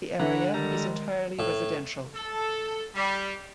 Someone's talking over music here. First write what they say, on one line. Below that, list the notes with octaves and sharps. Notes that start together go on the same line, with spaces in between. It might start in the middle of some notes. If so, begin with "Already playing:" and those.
The area is entirely residential.
D3 B4 C#5 F#5 A#5
D#3 G3 G#3 A4 A#4 A#5
A2
A4
G3